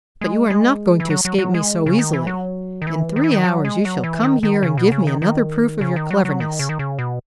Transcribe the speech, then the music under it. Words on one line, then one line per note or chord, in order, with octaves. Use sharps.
But you are not going to escape me so easily. In three hours you shall come here and give me another proof of your cleverness.
G#3
G#3
E3
F#3
F#3
F#3
G#3
C#3
D#3
E3
F#3
D#3
E3
D#3
E3
D#3
F#3
G#3
F#3
E3
D#3
D#3
C#3
B2
C#3
D#3
D#3
C#3
D#3
F#3
F#3
D#3
C#3
D#3
C#3
B2